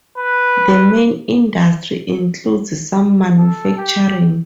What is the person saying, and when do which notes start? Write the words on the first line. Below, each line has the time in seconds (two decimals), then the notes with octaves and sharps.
The main industry includes some manufacturing.
0.18 B4
3.38 A4
3.77 G4